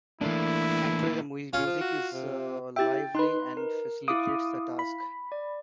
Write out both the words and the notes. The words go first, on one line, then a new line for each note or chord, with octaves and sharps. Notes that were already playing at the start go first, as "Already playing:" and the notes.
Thankfully the music is lively and facilitates the task.
A2 E3 A3 A#3 D4 E4
C#4 F4
F3
F#4
C3
E4 G4 E5 G5 A6
D#4 B4 C6 F#6
A#4
E4 F5 D6 D#6
B5
D5